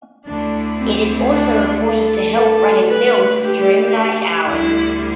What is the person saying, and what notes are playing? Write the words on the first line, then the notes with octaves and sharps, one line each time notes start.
It is also reported to help running mills during night hours.
D2 D3 A3 D4 E4
C4
D4
A4
D3 A3 E4 A4
B4
G4
D2 D3 G3 E4